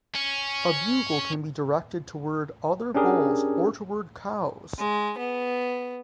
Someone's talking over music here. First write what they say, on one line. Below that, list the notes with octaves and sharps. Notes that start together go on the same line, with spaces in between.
A bugle can be directed toward other bulls or toward cows.
C#4
C#4 D4 G4 G#4 A#4
G#3
B3